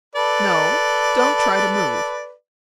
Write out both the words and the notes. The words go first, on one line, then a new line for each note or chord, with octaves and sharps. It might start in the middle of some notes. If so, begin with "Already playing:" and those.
No, don't try to move.
A4 B4 D5